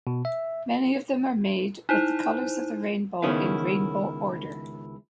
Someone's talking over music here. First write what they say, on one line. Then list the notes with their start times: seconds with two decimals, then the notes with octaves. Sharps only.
Many of them are made with the colors of the rainbow in rainbow order.
0.07 B2
0.25 E5
1.89 D#4 E4 C5
3.22 C#2 D#3 B3 C#4 E4 F5